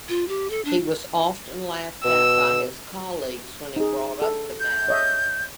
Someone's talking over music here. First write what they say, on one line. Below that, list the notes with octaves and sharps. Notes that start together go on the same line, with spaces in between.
He was often laughed at by his colleagues when he brought up the matter.
F4
G4
A4
D4
B2 E6
D#4 G#4
A4
G6
C#5 D#5 E5